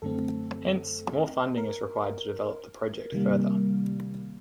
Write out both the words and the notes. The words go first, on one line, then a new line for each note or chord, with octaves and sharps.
Hence, more funding is required to develop the project further.
F#2 D3 A3 C4 A4
A#4
C3 D#3 G3 A#3